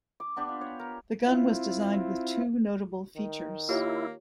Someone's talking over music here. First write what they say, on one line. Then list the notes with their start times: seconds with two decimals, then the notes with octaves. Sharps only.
The gun was designed with two notable features.
0.20 D6
0.36 B3 D4 G4
0.49 F4
0.61 C#5
0.79 A#4
1.25 C4 E4 F4
3.16 D#3
3.69 A#3 E4 F4 G4 C#5